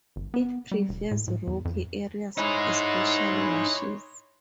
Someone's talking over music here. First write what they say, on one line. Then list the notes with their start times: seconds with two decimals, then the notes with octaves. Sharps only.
It prefers rocky areas, especially washes.
0.16 G1
0.34 B3
0.71 G3
0.89 E1
1.11 A2
1.28 A2
1.47 E2
1.65 F2
2.38 D#4 E4 G#4 C#5 D#5 B5 C6 F#6